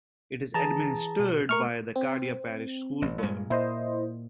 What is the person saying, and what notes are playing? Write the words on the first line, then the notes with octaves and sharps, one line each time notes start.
It is administered by the Acadia Parish School Board.
E3 G#4 A5 A#5
B2
A3 A#4 C#6 F6
C4
A1
G2 A#2 G#3
A#2 E4 C5 D#5